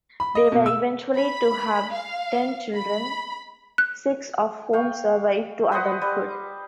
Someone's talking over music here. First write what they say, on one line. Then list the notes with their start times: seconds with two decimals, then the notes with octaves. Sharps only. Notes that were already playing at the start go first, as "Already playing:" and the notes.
They were eventually to have ten children, six of whom survived to adulthood.
0.20 B5
0.35 D#5
0.52 B2
0.66 E6
1.15 B5
1.92 F5
2.74 B5
3.78 F#6
4.73 F5 G5 C#6
5.72 B4 C5 D#5 F#5
6.02 G3